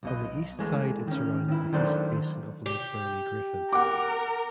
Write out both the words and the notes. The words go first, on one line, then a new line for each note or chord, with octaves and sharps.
On the east side it surrounds the East Basin of Lake Burley Griffin.
B1 B2 D#5
E3 G#3 A3
D#3 C#4
D#3 E4
D#3 F#3 A3 D4 C5 D5
G4
A#4 F#5 D6